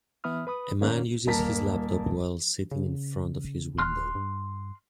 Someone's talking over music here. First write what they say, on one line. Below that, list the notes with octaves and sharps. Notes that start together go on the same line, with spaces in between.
A man uses his laptop while sitting in front of his window.
E3 B3 E5 B5 D#6 F6
B4 B5 D#6
F#2 D#3 A#3 C#4
D#1 A#3 A#4 A5 B6
C#3
D#1 C6 F6 F#6
G2